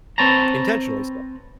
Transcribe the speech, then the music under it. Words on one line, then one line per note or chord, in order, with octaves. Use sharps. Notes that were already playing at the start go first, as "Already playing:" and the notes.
Intentionally so
C4 B4 C#5 A5 A#5